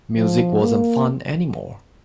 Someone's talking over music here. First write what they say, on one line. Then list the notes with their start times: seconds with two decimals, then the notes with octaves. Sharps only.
Music wasn't fun any more.
0.17 F3
0.61 A#3